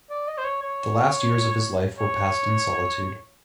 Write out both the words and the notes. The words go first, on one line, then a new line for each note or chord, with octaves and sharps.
The last years of his life were passed in solitude.
D5
D#5
C5
C#5
C#5
C#5